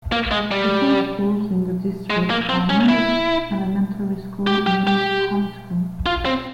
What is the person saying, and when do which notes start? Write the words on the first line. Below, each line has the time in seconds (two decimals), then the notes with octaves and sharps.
The two schools in the district are Munich Elementary School and Munich High School.
0.12 A#3
0.32 G#3
0.51 G3
2.10 G#3
2.30 A#3
2.49 C4
2.70 C#4
2.89 E4
4.47 G4
4.67 G4
4.87 G4
6.06 F4
6.25 C4